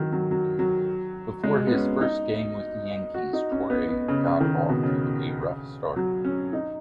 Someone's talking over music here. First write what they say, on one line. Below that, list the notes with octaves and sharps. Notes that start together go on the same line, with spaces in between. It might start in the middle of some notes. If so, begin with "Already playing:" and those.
Before his first game with the Yankees, Torre got off to a rough start.
Already playing: D#3 F#3
F#3
F#3
F#3
G#3
B3
C#4
D#4
F#4
D#4
C#4
B3
B3
C#3
C#3
D#3
C#3
B2
C#3
F#3
C#4
D#4